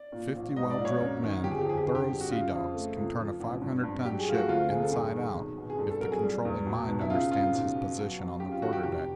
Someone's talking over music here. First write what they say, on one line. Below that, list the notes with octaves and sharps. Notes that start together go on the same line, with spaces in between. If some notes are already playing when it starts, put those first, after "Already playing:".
Fifty well drilled men, thorough sea dogs, can turn a five hundred ton ship "inside out," if the controlling mind understands his position on the quarter-deck.
Already playing: D5
A#2
A#1
G#2 D#5
D5
A#1
C#5
F#2
D#3
G1 G4
G#4
G4
F2 G#4
G4
D3 G#4
G4
G2
F#4
C#3 F4
F2
A3
C#2
F3
A1
G2
G2
F#3 G4
G#4
A3 F4
F#4
D2 F4
C3 G#4
A4
G2 G#4
D#3
B1
B2
G#4
G2 A4
A4
F#3 A#4
G#4
G3
E2
B2
B1
E4
C#3 F4
C#3 F4
B1
B2
F#3
F#3
F#2 G4
F4
D#3 F#4
G4
F1 G4